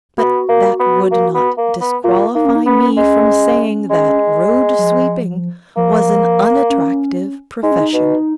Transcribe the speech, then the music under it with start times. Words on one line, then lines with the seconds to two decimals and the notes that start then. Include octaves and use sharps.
But that would not disqualify me from saying that road- sweeping was an unattractive profession.
0.17 B3 F#4
0.49 A#3
0.80 B3
1.11 A#3
1.34 B3
1.58 A#3
1.81 B3
2.04 A#3 F4
2.35 A#3 D#4
2.45 C#4
2.55 D#4
2.66 B3 C#4
2.97 G#3
3.90 G#3
4.78 F#3
4.83 F3
5.77 F3 A#3
6.70 C#4
7.63 G#3 D#4
7.72 C#4
7.80 D#4
7.93 B2